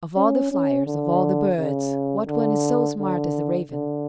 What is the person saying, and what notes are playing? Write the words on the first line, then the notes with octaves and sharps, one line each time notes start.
Of all the fliers, of all the birds, what one is so smart as the raven?
C#4
C#4
D3
C#3
D3
D3
D3